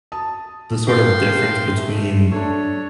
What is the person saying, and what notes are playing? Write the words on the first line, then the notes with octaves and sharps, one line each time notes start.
the sort of difference between
A5 D#6
G#4 B4 F5 G5 C6
A3
A3 D4 C#5